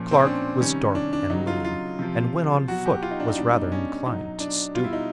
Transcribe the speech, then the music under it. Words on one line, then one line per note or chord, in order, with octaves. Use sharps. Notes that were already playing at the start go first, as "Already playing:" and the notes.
Clark was dark and lean, and when on foot was rather inclined to stoop.
Already playing: A#2 F3 C#4
C4
C#4
D4
C3 D#3 G3 C#4
D4
D4
C#3 F#3 D#4
F4
F4
C3 F3
B2 F#3 F#4
G4
F4
D#4
D4
D#4
B2 G3 D4
D#4
D4
C#4
B2 F#3 D#4
D4
B2 G3 F4
E4
D#4